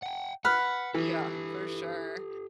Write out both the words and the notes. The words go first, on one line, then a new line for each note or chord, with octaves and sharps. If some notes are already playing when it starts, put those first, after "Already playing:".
Yeah, for sure.
F#5 G5
B4 F#5 F6
E3 G4 A4